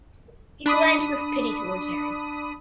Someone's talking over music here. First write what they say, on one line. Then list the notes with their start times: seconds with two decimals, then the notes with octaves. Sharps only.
He glanced with pity towards Harry.
0.66 D4 B5 D#6